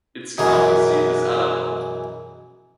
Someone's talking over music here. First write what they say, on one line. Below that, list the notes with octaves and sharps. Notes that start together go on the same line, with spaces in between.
Its county seat is Alamo.
F#2 B2 E3 G#3 G#4 A#4